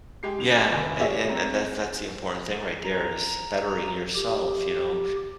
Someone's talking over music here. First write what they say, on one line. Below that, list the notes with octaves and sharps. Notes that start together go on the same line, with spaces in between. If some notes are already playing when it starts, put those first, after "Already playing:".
Yeah, and and and that's that's the important thing right there is bettering yourself, you know,
G#3 G4 C7
C#3 F7
F1 D#2 G#5
F4 G4 G#4 C#5 D5 E5
C4 A#5
A#5
G4